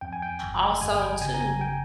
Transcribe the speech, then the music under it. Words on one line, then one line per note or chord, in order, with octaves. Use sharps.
also too
F2 G5
G#5
G5
G1
G1 G#5
G5
C#3 G#5
A#5
G#5
G5